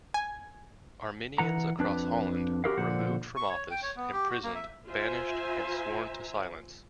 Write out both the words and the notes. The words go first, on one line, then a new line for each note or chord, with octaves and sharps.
Arminians across Holland were removed from office, imprisoned, banished, and sworn to silence.
G#5
E3 F#5 A#5
F2 D4 B4
F#4 G4 A4 A#4 E5 F5
A#2 D3 F3 C5 F#5
C#6
C#5
G5
C#5
B3
G4
F#4
A#3
E5
F4 C5 E5 G#5 A#5